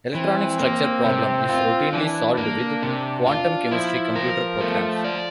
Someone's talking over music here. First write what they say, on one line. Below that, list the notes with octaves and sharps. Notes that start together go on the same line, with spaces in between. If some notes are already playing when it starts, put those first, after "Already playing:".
Electronic structure problem is routinely solved with quantum chemistry computer programs.
E3 C4
A#3
C3
F4
E3 D4
A#3
C3
F4
F3 E4
A#4
A3
D5